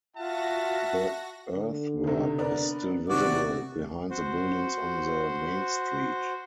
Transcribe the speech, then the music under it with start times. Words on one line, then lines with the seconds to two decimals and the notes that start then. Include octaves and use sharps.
The earthwork is still visible behind the buildings on the main street.
0.17 F4 F#4 E5 F#5 A5 A#6
1.56 D3
2.04 C3 D#3
2.38 B3 D4 A#4
3.10 C3 D#3 F#4 D5 D6
4.10 F#4 C5